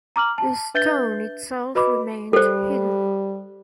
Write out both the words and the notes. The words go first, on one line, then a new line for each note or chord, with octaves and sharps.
The stone itself remained hidden.
A#5 D6 F6 F#7
A5
D4 B4 E5 G6 A6 G7
F#4 B4 D#5 B5 D6
G3 A4 C5